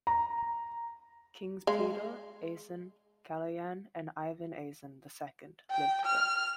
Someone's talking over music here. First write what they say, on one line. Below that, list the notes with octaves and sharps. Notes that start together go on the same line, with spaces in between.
Kings Petar, Asen, Kaloyan and Ivan Asen the second lived there.
A#5
G#3 F5
G5
F6